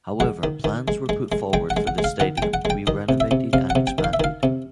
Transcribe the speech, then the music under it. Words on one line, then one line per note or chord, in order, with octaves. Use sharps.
However, plans were put forward for the stadium to be renovated and expanded.
G#3 F#5
D#3
D#3
G#3
G#3
G#3
G#3 G5
F#5
G#3
F#5
G#3
F5
D#3 F#5
G#3 G5
F#5
G#3
G5
D#3 D#5
C3
E5
C3
C3 F5
F#5
C3
G5
D#3
F5
E5
D#3 F5
C3